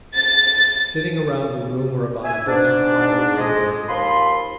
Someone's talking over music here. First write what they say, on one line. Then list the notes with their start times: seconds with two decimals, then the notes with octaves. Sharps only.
Sitting around the room were about a dozen fine-looking men.
0.15 A6
2.24 E5 G#5
2.46 G#2 D4
3.38 F2 G#3 D#5
3.89 D#2 F3 F4 B5 C6